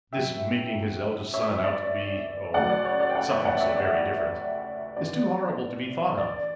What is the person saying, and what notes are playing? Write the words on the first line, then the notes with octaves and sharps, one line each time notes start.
This making his eldest son out to be--oh, something so very different--is too horrible to be thought of.
F#2 C#3 F#3 E5 G5
C#5 E5
D5
D2 C#3 F#3 D5 F#5
D5
C#5
D5
G5
D5 F#5
C#5 E5
D5 F#5
C#5 E5
D5
F#2 E3 D5
D5